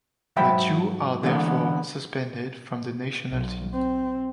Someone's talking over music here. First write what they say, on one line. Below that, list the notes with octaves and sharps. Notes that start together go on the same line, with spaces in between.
The two are therefore suspended from the National team.
G#2 F#3 C5 E5 G5 B5
D3 E3 G#3 A#3 B3
B1
C4